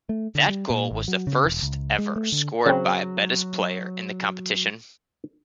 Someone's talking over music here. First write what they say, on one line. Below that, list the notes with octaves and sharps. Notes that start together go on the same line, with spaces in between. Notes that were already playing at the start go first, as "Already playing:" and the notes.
That goal was the first ever scored by a Betis player in the competition.
A3
D3
G3
A#2
G#1
F#3
C#3
E1
C#2
G#3
A3
D3
C#3 F#3 C4